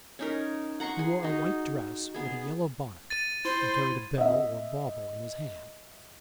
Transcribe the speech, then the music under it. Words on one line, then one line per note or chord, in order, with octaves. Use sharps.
He wore a white dress with a yellow bonnet, and carried a bell or bawble in his hand.
C#4 D#4 A#4
F#5 A#5 C6 C#6
G#4
D#4 F#4
B3 G#4
A6 D#7
E4 C5 C6
D#5 E5